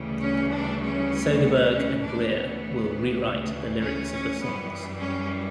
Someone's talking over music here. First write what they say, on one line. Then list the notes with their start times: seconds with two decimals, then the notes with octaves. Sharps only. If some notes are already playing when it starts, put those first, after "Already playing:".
Soderbergh and Greer will rewrite the lyrics of the songs.
Already playing: D2 C#3 E3 G3
0.23 C#4
0.53 D4
0.83 C#4
1.42 B3
1.72 C#4
2.01 D2 C#3 E3 D4
2.32 B3
3.80 C#4
4.11 C#4
4.40 F#2 E3 G3 B3
5.00 C#4